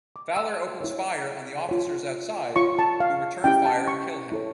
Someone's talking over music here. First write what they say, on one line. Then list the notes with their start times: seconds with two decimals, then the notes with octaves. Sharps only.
Fowler opens fire on the officers outside, who return fire and kill him.
0.16 D6
0.37 E6
0.81 E4 A#4 C#5
1.69 F4 C#5
2.56 F4 C#5 C#6
2.79 A5
3.00 F5
3.44 C#4 E4 G4 G5
3.65 A5
3.88 C#6
4.32 E4 A4 C#5